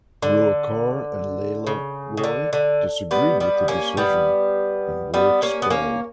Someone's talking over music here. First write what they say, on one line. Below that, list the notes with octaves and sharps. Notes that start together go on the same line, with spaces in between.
Ruikar and Leela Roy disagreed with the decision, and were expelled.
D3
C#3
C#3
D3
D3
G3 B3
G3 B3
A#3 C#4
G3 B3
G3 B3
A#3 C#4
B3
A#3 C#4